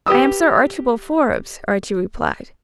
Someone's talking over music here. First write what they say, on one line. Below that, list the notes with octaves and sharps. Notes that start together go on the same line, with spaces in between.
"I am Sir Archibald Forbes," Archie replied.
G4 B4 D#6 E6